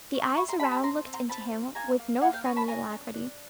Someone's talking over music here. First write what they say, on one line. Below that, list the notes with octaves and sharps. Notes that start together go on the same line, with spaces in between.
The eyes around looked into him with no friendly alacrity.
C#4
E4 B5 C#6
A#5 C6
G4 A5 B5
A5 B5
C4 A#5 C6
C4
A#5 C6
C4 A5 B5
F4
A#3 G#5 A#5
A#3
A#3 F#5 G#5
F5 G5
C#4 G#5 A#5
A5 B5
D4 G#5 A#5
D4
D4